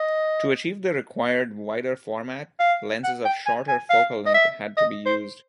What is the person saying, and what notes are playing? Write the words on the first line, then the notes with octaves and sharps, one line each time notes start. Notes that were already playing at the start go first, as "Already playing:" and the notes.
To achieve the required wider format, lenses of shorter focal-length had to be used.
Already playing: D#5
F5
F#5
G5
G#5
G#5
F5
D#5
E5
D#5
C5